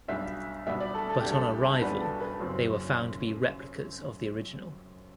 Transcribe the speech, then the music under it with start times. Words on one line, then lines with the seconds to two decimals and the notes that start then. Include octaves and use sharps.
But on arrival, they were found to be replicas of the original.
0.08 B1 B2 G3 B3 D4 E5
0.66 B1 B2 G3 B3 D4 E5
0.80 D5
0.94 A4
1.09 A4
1.21 B1 B2 G3 B3 D4 G4
1.31 A4
1.81 B1 B2 G3 B3 D4 B4
2.01 A4
2.20 B4
2.39 F#1 F#2 F#3 C4